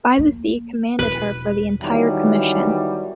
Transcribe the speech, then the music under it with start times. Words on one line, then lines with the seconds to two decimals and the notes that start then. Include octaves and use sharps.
Bythesea commanded her for the entire commission.
0.18 A#3
0.99 E1 B4
1.81 D#3 E3 F#3 G3 B3